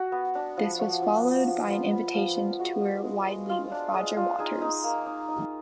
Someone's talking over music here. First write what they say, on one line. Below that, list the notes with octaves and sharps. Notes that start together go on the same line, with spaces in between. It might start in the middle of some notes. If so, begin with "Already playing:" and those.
This was followed by an invitation to tour widely with Roger Waters.
Already playing: F#4
B3
D4
F3
F3 F#4
F3
B3
F3
B3 F4
B3
F3
F3
G#3 F#4
G#3
G#3
G#3
F4
D4
G#3
F4
D#4 G#4
D#4
A#3
D#4
D#4